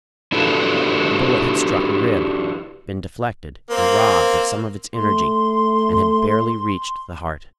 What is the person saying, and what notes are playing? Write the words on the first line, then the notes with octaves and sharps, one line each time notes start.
The bullet had struck a rib, been deflected and robbed of some of its energy, and had barely reached the heart.
D4 E4 F#4 G4 A4 B4
A#3 C4
A3 C6